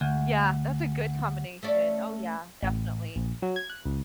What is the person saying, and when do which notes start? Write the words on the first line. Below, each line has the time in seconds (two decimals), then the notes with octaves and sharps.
Yeah, that's a good combination. Oh, yeah, definitely.
0.01 D2
1.63 A3 C#4 D5
2.63 A1
3.16 A#1
3.42 F#3
3.56 G#6
3.70 F#6
3.86 C#2